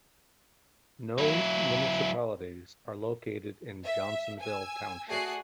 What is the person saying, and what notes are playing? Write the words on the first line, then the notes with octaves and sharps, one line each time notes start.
No municipalities are located in Johnsonville Township.
F#3 E4
E5
G#5 E6
A3 F#4 G#4 D5 F#6 C7